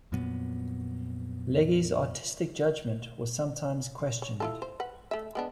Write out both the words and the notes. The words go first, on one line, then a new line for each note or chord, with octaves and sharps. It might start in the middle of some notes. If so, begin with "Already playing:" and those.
Legge's artistic judgment was sometimes questioned.
F2 A#2 F#3 B3
C#5
E4 F4 A4
C5
B4 F#5
A3 E5
G#3 B3 D4